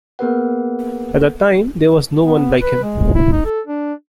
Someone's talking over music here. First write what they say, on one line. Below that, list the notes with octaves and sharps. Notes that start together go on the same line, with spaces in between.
At the time, there was no one like him.
A#3 B3 G#4 A#4 B4 F#5
B3
B4
G#3
E4
D#4
A4
D4